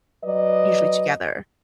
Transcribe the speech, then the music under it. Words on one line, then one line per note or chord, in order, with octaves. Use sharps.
usually together.
F#3 B4 D5 D#5